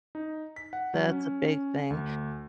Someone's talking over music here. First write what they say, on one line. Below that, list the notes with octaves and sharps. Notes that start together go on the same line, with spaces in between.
That's a big thing.
D#4
B6
F#5
F#3
C#4
C#4
D2